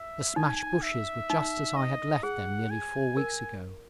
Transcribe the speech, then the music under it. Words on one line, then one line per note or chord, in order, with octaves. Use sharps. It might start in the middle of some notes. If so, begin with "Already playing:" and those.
The smashed bushes were just as I had left them nearly four weeks ago.
Already playing: E5
D#4 G#5
E5
D#4
D#5
G#4 F#5
G#5
A#4